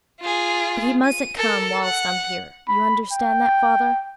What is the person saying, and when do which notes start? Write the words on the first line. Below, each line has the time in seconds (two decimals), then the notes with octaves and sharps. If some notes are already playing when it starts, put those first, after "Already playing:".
But he mustn't come whilst I'm here; you understand that, father?'
0.21 F4 G#4
1.05 D#7
1.37 A4 A#4
1.82 F#5
2.68 B5
3.12 G5